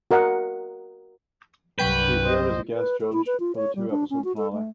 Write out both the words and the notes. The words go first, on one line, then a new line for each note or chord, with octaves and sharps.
She appeared as a guest judge for the two-episode finale.
F#4 A#4 D#5 F#5
C2 G2 F#3 B4 G5 G6
C5 D#5
B4
A4
E4
B4
F4
C#5
G3
D4
C#4
F#4
A4
A3